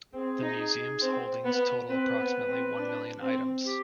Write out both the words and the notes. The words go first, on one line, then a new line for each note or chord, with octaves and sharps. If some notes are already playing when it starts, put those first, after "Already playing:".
The Museum's holdings total approximately one million items.
C4 G#4
D#4
C4
B3
C4 B4
B3
C4
D4
C4
G4